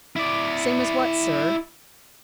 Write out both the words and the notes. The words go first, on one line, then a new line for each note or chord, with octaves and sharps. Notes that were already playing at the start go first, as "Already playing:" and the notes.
"Same as what, sir?"
E4 D5